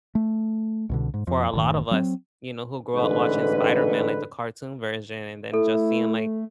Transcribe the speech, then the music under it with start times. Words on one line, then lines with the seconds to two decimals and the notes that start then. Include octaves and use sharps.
for a lot of us, you know, who grew up watching Spider-Man, like the cartoon version, and then just seeing, like,
0.15 A3
0.89 C2 B2 D3
1.14 G#2
1.27 F2
1.53 F#1 A2 D#3
1.91 F#3 C4
2.96 A1 G#2 D3 B4
5.54 A3 E4 A4